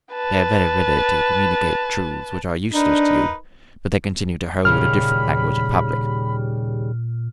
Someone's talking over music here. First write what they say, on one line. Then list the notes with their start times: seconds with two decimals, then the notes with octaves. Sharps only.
They are very ready to communicate truths which are useless to you, but they continue to hold a different language in public.
0.13 B4 A5
2.74 D4 D#4 A#4 B4
4.65 D#2 A#2 C#3 G3 B5 F6